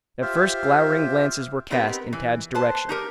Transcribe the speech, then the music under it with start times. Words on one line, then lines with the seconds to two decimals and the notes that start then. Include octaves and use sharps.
At first glowering glances were cast in Tad's direction.
0.22 F4 G4 C5 E5 F5
1.70 B3 C4 D#4 G4 A#4 B4
2.13 E3
2.55 B4 C5 A5
2.89 D#4 G4 A#4